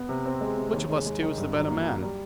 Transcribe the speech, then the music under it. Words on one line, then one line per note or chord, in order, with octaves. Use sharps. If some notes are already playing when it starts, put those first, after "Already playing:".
Which of us two is the better man?
Already playing: B3
C3
C4
G#3
C3
D#2
G#3
G#3
D#3
G2
F#3
A#3
F#3
G3